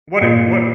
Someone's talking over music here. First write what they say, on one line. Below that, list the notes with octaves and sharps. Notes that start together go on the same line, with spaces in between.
what it what
A#2